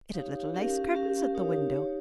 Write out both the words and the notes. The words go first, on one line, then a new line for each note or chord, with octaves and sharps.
It had little lace curtains at the window.
D#4 G4 C#5 F5
C#4 G4 A#4 F5
C#4 G4 A#4 F5
D#4 G4 C#5 F5
D#4 G4 C#5 F5